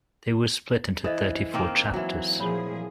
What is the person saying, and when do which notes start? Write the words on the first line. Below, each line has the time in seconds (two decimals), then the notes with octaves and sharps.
They were split into thirty-four chapters.
1.04 E3 A4 C5 D#5
1.54 D#3 A#3 C4
1.94 E3 F#3
2.40 A#2 F3 G#4 C#5 B5